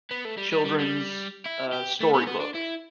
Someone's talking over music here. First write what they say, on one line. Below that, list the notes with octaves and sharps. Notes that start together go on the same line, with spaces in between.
children's, uh, storybook,
B3
A3
G3
G3
G3
G3
E4
G4
A3
B3
B3
D4
E4